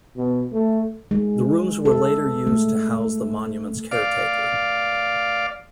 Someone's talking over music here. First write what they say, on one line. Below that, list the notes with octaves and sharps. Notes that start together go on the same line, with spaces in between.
The rooms were later used to house the monument's caretaker.
B2
A3
G#3
A4
A3
D5 F5